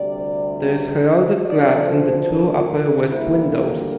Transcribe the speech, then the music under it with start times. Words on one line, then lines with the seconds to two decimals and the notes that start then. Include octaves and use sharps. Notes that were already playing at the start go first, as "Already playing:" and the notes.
There is heraldic glass in the two upper west windows.
Already playing: D2 C3 G3 D5
1.44 D2 D3 F3 D5
1.85 C5
2.26 A#4
3.07 D2 D3 G3 A#3 E4